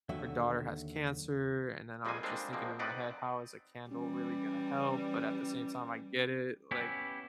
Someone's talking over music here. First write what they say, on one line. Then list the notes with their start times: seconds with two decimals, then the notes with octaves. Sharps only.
her daughter has cancer, and then I'm just thinking in my head, "How is a candle really gonna help?" But, at the same time, I get it. Like,
0.09 D#2 D3 F#3 E5
2.05 F2 G3 G#3 A#3 C4 G#5
2.23 G3 G#3 A#3 C4 D4
2.53 B2 F3 G#3 A#3 C4
2.79 C4 D#4 B4 D5 D#5 F#5
3.90 E3 G3 C#4
6.71 B3 C#4 E4 G4